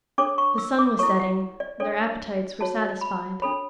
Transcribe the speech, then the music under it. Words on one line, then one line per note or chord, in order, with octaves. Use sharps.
The sun was setting; their appetites were satisfied.
D4 A4 C#5 D6
C#6
E6
D6
E4 A4 C#5 C#6
F#5
D5
D4 A4 C#5 D5
F#4 C#5 A5
B5
D4 A4 C#5 B5